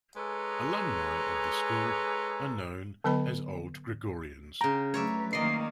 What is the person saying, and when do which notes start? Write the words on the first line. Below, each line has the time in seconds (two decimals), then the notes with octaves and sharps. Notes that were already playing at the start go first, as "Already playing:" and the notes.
Alumni of the school are known as Old Gregorians.
0.16 G#3 G#4 A4 B4 C#5 A#5
3.04 D3 F#3 B3 B4 D#5 B5
4.61 C#3 G5 A#5
4.94 F#3 A3 B4 C#5 D5 E5
5.33 D#3 A#3 D5 D#5 C7